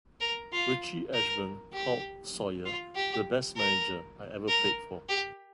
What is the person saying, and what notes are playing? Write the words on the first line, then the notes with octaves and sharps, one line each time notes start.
Richie Ashburn called Sawyer the best manager I ever played for.
A#4
F4
A#4
G4
F4
G4
A#4
A#4
G4